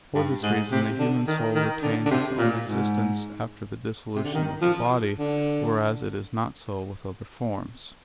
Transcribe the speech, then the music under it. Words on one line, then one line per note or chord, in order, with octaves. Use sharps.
For this reason the human soul retains its own existence after the dissolution of the body; whereas it is not so with other forms.
G2
G#2
C3
D3
D#3
D#3
D3
D3
C3
A#2
G#2
C3
D3
D#3
F3
D3